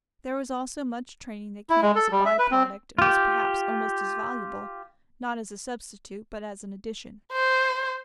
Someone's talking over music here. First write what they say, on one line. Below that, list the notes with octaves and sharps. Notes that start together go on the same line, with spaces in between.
There was also much training that came as a by-product and was perhaps almost as valuable--not as a substitute but as an addition.
E4
G#3
A4
G3
E5
B4
C4
F4 G4
C5